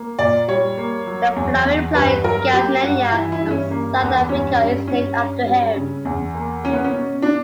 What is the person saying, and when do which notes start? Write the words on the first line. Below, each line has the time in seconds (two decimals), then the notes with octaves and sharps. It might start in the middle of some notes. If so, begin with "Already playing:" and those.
The flowering plant Gazania, of southern Africa, is named after him.
Already playing: A#3
0.19 A#2 D5
0.48 G3 C#5
0.78 A#3
1.07 F#3
1.36 E2
1.65 E2
1.94 G2 B4
2.24 F#3 A#4
2.53 A#3 G4
2.82 G2 F#4
3.11 E3 E4
3.32 E4
3.41 G2
3.51 C#4
3.71 A#3
4.00 E2 B3
4.29 G2 C#4
4.59 G2
4.87 G2 C#4
5.17 G2
5.46 G3
5.76 C#3
6.05 E2
6.35 A#3
6.64 A#3 C#4
6.73 B3
6.84 C#4
6.94 B2
7.22 D4